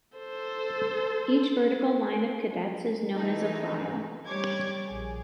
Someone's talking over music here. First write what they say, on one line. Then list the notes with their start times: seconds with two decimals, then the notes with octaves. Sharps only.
Each vertical line of cadets is known as a file.
0.18 A4 C5
3.15 E3 A3 D#4
4.26 G3 G4 C#5 D6 G#6
4.87 A#1 G#4